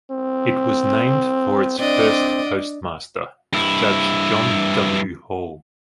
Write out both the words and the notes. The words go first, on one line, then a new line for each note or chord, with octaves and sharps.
It was named for its first postmaster, Judge John W. Hall.
C4
C4 D4 D5 D#5
G2 E4